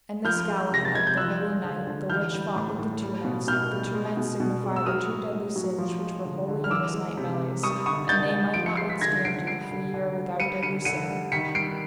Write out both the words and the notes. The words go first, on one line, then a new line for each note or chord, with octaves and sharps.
And this Galahad, the holy knight, the which fought with the two knights, the two knights signify the two deadly sins which were wholly in this knight Melias; and they might not withstand you, for ye are without deadly sin.
F3 F6 G6
G#3
C3 A#6
A6
C3 G#6
G6
F3 E6 F#6
G#3
D3
D3
E3 F6 G6
G3
A2
A2
G3
B2
B2 F6 G6
G3
G#3
B2
B2
G#3
E6
F#3 D#6 F6
A2
A2
F#3
F3
G#3
D3
D3
F6
E3 D6 E6
G#3
C3
C3
G3 C#6 D#6
D3 C#6 D#6
D3 G6 A6
G3
F3 D7
C#7
G#3 C7
B6
D3 G#6 A#6
D3 C7 D7
G3 C7 D7
D3
D3
G3
G3 C#7 D#7
D3 C#7 D#7
D3 C#7 D#7
G3
D#3 B6 C#7
G3 C7 D7